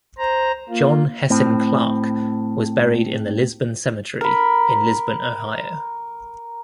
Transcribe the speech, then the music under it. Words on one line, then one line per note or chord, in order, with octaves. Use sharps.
John Hessin Clarke was buried in the Lisbon Cemetery in Lisbon, Ohio.
C5 A#5
A#3 F4
A2 C4
A#4 B5